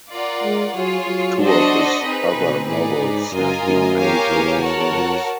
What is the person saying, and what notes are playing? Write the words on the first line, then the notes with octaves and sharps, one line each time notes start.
Two of his other novels have been made into films.
F4 A#4 D5 F#5
G#3
F#3 F4 G#4 C#5
F#3
D4 F#4 A4 C5 D#5
C4 D#4 G#4 B4
B2
A2 D#4 G#4 B4 D5
G#2
F#2 F4 A#4 D#5 G#5
F#2
G4 A#4 C#5 F5 G#5
E2
F#4 A#4 C#5 F#5 A5
F2